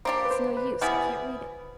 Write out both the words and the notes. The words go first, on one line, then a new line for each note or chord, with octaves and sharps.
It's no use--I can't read it.'
A#3 D4 G4 C5
B4
C5
B4
G3 B3 E4 G#4